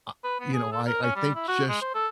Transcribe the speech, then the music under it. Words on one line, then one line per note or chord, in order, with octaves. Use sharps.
Ah you know, I I think just
B4
B3
G#4
A4
A#4
C#4
G3
E4
F#4
G#3
C5
A4